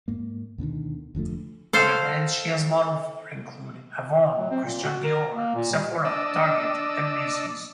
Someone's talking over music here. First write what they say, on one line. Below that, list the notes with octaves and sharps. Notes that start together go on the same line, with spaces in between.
Other brands she has modelled for include "Avon", "Christian Dior", "Sephora", "Target", and "Macy's".
G#2 A#3
D2 B2 D3 D#3
F1 D3 F3 A3
A4 C5 F5
F#3
C4
A#2
F#4
A#4
A#3
A#2
G3
D4 D5 D#5 E6